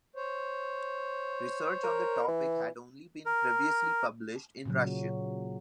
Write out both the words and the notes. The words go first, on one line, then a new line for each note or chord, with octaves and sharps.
Research on the topic had only been previously published in Russian.
C5 C#5
A#4
E3
A#4
A#2 C#3 F#3